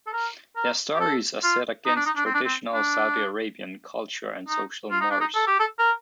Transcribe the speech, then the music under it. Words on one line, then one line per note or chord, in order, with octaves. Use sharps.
Their stories are set against traditional Saudi Arabian culture and social mores.
A4
A#4
A#4
G4
A4
F4
D#4
D4
D#4
D4
C4
D4
C4
D4
D#4
F4
D#4
D4
D#4
A4
G4
A4
A#4